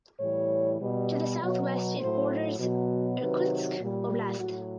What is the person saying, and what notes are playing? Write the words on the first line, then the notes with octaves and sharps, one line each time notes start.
To the southwest it borders Irkutsk Oblast.
A2 E3 G3 C#5
B2 G3
B2 F#3
A2 F#3 C5
B2 F#3
C3 D#3 F#3 B4
A#2 G3
A2 F#3 F#4